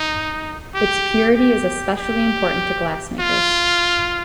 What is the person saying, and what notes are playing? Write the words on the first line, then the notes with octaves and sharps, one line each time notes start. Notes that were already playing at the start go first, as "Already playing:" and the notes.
Its purity is especially important to glassmakers.
Already playing: D#4
G4
G4
G4
F4